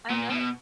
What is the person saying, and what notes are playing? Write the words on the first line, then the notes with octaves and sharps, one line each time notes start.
I kno
A#2
B2